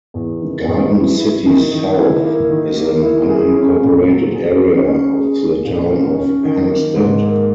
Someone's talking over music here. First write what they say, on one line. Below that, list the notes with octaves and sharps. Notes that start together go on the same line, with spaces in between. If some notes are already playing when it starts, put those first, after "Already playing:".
Garden City South is an unincorporated area of the Town of Hempstead.
E2
D#3
E2
E4
E4
D#3
D#3
E4
A#3
D#3
A#3
E4
G#4
C#4
A#2
F#3
G#4
C#4
C#4
G#4
G#4
A#2
C#4
C#4
D#3
A#3
G#2
A#3